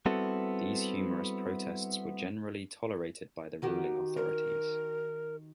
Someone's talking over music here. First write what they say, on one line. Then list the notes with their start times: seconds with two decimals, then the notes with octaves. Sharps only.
These humorous protests were generally tolerated by the ruling authorities.
0.06 G3 B3 C4 E4 F#4 A4
3.62 D#3 F#4 G4
4.17 A#4